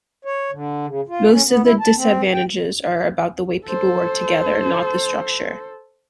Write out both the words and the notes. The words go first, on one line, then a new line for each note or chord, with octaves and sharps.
Most of the disadvantages are about the way people work together, not the structure.
C#5
D3
C#3
F4
C#4
B3
E4
A5
C4
G5
A4 C5